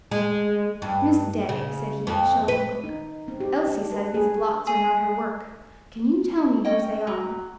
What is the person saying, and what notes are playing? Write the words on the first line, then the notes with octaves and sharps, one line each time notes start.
"Miss Day," said he, showing the book, "Elsie says these blots are not her work; can you tell me whose they are?"
G#3
G2
C#3
F2
B4
D#4
C4
G4
D4
B4
G#4
G#4
C#4 D#5 G5
F#3